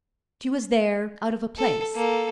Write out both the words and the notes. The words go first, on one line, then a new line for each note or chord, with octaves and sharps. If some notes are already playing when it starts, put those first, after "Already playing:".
She was there, out of a place.
A4
A#3 A4